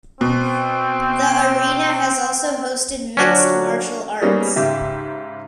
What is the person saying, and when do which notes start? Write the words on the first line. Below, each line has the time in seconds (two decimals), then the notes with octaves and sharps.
The arena has also hosted mixed martial arts.
0.21 B2 C4
3.17 D3 F3 F#3 C#4 D4 F#4
4.21 G3 A#3 B3 C#4 D#4 G#4
4.56 G#2 C#3 G4 E5